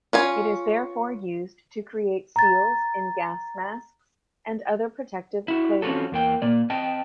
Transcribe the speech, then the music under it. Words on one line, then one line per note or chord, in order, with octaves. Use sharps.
It is therefore used to create seals in gas masks and other protective clothing.
C#4 F4 G#5
A#5 A6
E4 F#4
C4 C#4 F4 F#4 A4
E2 A#3 G5
A#2 A#3 D5
C4 D#5 G5 A5